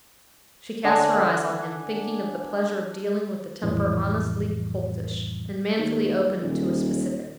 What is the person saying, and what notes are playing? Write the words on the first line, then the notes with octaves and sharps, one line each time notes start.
She cast her eyes on him, thinking of the pleasure of dealing with a temper honestly coltish, and manfully open to a specific.
D3 D4 F#5 G#5
A#1 F2 A2 E3 G3
D#2
D#1